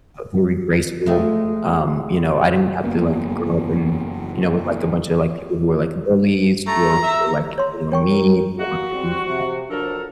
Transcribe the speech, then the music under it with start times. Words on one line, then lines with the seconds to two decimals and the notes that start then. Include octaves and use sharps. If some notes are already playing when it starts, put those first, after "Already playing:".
uh, very graceful, um, you know, I didn't have to, like, grow up in you know, with, like, a bunch of, like, people who were, like, bullies or who were, like, you know, mean or any of that,
1.06 G#3 A3
2.84 F#1 F#2 A#3 B3
6.67 A3 A#5
7.03 E5
7.58 C#5 C6
7.92 A#4 C#5 G5 C#6
8.59 A#3 F#4
8.93 G3 C4
9.27 C3
9.69 F3 F#3 D4 A4 A#4